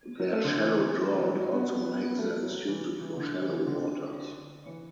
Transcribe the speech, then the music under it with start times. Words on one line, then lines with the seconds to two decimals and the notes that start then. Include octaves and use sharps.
Their shallow draught also makes them suited for shallow waters.
0.20 F#3
0.32 A3
0.45 D3
0.57 E3
1.11 E3
1.20 F#3
1.35 F#3
1.52 B3
1.68 B3
1.85 B3
2.02 B3
2.18 A3
2.43 F#3
2.68 E3
3.01 E3
3.17 D3
3.41 E3
3.67 D3
4.66 E3